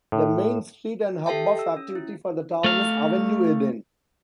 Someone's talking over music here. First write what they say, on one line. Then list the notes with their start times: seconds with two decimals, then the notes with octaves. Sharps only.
The main street and hub of activity for the town is "Avenue Eden".
0.12 A2
1.26 G4 A4 E5 G5 A5
1.59 E6
1.77 C#4
1.95 E4
2.64 A3 F5